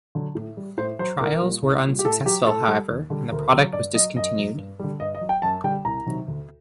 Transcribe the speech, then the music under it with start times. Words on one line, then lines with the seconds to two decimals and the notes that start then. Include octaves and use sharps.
Trials were unsuccessful however, and the product was discontinued.
0.15 D3 F#3
0.35 A2
0.57 G3
0.78 A2 C5
0.99 F#3 C5
1.20 C2 A#4
1.41 A#2 G3
1.63 C2
1.83 A#2 G3
1.99 G4
2.05 A2 A4
2.25 F#3 G4
2.47 A2 A4
2.67 G3
2.90 D#2
3.10 D3 G3
3.32 D2 A#4
3.52 D3 F#3
3.73 G2 D5
3.94 F#3 D#5
4.16 F#2 D#5
4.38 F#3
4.58 G2
4.79 D3 G3
5.00 G2 D#5
5.15 D#5
5.21 F#3
5.29 G5
5.42 F#2 A5
5.64 D3 G3 G5
5.85 C2 A#5
6.06 C3 D#3 F#3
6.28 D2